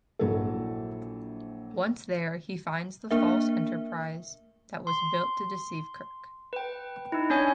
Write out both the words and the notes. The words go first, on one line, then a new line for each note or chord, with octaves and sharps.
Once there, he finds the false "Enterprise" that was built to deceive Kirk.
A#1 F#3 E4 A4
A#3 D4 A#4 E5
C6
B4 G5
D#4 E4
C#4 D4 C#5 G#5